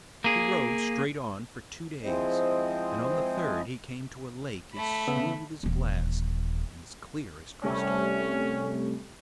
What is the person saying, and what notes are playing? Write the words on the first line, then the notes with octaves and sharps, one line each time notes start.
He rode straight on for two days, and on the third he came to a lake as smooth as glass and as clear as crystal.
A#3 G#4
F3 G#3 C4 E4 C5 D#5
A3 B5
C#3 B3 E5
D#1 E3
C2 C3 G3 A3 C#4